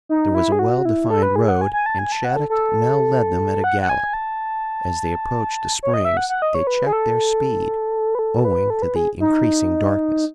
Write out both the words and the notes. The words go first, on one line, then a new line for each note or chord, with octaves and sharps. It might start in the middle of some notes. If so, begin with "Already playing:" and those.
There was a well defined road and Shattuck now led them at a gallop. As they approached the springs they checked their speed, owing to the increasing darkness.
D#4
E4
G#4
F#4
E4
A4
B4
G#4
F#5
G#5
G#5
A5
G#5
A5
F#5
A4
A4
F#5
F#5
G#5
A5
C#5
D#5
E5
F#5
F#5
D#5
C#5
B4
G#4
A4
B4
A4
B4
A4
B4
G#4
D#4